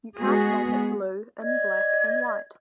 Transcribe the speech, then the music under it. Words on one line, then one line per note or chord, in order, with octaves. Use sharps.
You can't make it blue in black and white.
G#3 B3 F#4 G#4
D5 D#5 G#6